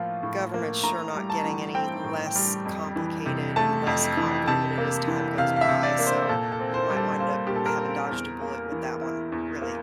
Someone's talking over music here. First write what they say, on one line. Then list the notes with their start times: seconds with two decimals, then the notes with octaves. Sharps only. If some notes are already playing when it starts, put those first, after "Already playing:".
government's sure not getting any less complicated and less convoluted as time goes by, so, you might wind up having dodged a bullet with that one really.
Already playing: A2 F3 A#3 F4
0.23 A2
0.54 A#3
0.83 A2 A#5
1.13 G3
1.30 A5
1.45 E3
1.74 C4 G5
2.04 A2
2.35 G3
2.65 F2
2.96 E3
3.26 C3
3.56 A3 A5
3.87 F2
4.17 E3
4.47 C3 A5
4.78 A#3
5.08 E3
5.38 C3 F5
5.56 F5
5.61 E5
5.69 C3
5.83 D5
5.99 A#3
6.06 C5
6.29 A#2 A4
6.52 A4
6.60 C4
6.74 C5
6.90 G3
6.97 A4
7.20 F4 C5
7.47 A#2 G4
7.56 A4
7.66 A#4
7.80 C4
8.11 E2
8.41 A#3
8.72 E3
9.01 E4
9.32 E2
9.62 A#3